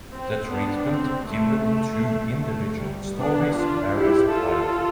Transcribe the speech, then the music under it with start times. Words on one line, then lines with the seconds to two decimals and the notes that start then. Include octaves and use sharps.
The treatment given to individual stories varies widely.
0.13 C4
0.50 B3 D4
0.88 C4
1.27 A3
1.65 A3
2.41 A3
2.79 G3
3.17 B3 D4
3.55 D4 F4
3.93 E4 G4
4.31 F4 A4